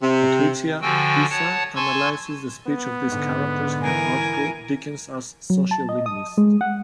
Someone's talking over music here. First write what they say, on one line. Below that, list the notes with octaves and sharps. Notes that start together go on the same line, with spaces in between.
Patricia Poussa analyses the speech of these characters in her article "Dickens as Sociolinguist".
C3
D3 F3 F#4 G5 G#5 E6
C#5 F#5 A5
G#5 A5 C6 C#6 E6 G#6
B3
G#2 D3
E3 A#4 G#5
F#3
A5
D#5
D#6
G#3
F#5